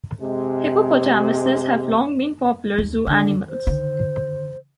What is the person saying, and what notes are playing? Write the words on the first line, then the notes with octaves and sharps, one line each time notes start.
Hippopotamuses have long been popular zoo animals.
C3 G#3
D#2
D3 D#3
C5
D3 D#3